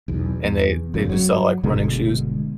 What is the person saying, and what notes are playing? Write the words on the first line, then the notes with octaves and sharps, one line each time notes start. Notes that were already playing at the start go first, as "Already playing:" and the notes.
and they they just sell, like, running shoes,
B1 E2
E2
F#1 F#2 C#3
F#3
G1 B2 D3 G#3